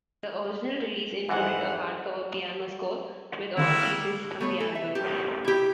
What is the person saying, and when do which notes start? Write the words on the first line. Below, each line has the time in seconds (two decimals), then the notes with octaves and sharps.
The original release included a hard-cover piano score with all pieces from the album.
1.29 F2 G#2 E3 F#5
3.57 D3 D#3 G3 A#3 C4 E4 F#4
4.41 A3 B3 C#5
4.60 A4
4.75 E5
4.95 G4
5.45 E4 G4